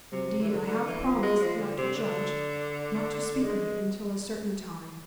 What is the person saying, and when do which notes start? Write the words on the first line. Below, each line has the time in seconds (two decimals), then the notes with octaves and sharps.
Indeed, I have promised not to judge, not to speak of it, until a certain time.
0.12 C3
0.42 E3
0.49 D3
0.67 D3
0.86 E3
1.04 F3
1.23 G#3
1.41 F3
1.59 D3
1.78 C3
1.96 D3
3.43 G#3